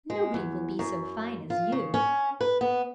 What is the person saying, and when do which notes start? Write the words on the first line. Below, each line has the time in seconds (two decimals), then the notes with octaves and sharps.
Nobody will be so fine as you.'
0.10 G#3
0.34 E2
0.79 F#2
1.50 F4
1.72 C#3
1.94 C#4
2.41 B4
2.61 B3